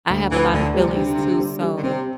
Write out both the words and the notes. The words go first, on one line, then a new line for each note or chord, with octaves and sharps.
I have a lot of fillings too, so,
D2
D2 E3
D2 D3
C3 G3
D3
D3
G3
G3
D3
C3 C4